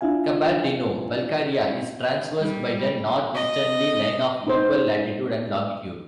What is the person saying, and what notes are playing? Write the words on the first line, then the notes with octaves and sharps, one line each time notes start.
Kabardino-Balkaria is traversed by the northeasterly line of equal latitude and longitude.
D4 E4 F4 F5 G#5
G3
D#5
D#4 B4 C5